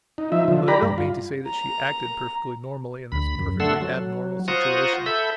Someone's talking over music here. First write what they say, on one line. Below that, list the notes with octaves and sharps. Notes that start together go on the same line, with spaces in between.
But I don't mean to say that she acted perfectly normally in this perfectly abnormal situation.
D#4
F3 D#4 E5
D3 F3
G4 D5 A#5 B5
G2
F4
A#5
D2 B5
F#2
D3 A3 A4 F#5 C6 E6
F#3
F4 C5 F#5 A#5 C#6 D#6
A4 E5 B5 G6